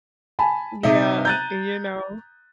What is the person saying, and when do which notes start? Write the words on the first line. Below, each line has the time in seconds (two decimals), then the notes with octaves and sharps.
Yeah, and, you know
0.39 G#5 A5 B5
0.83 C3 D#4 E5
1.25 A#5 F#6 G6 A6 D#7